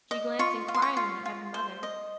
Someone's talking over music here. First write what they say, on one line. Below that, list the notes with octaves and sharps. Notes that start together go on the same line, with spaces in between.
She glanced inquiringly at her mother.
D#5
F4 C#6
F4
C6
C#6
F4
F4
C5
D#5